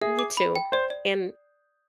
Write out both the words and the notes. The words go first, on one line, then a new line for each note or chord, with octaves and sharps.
You too. And,
G#4 E5
D6
B5
G5
C5 D5
D5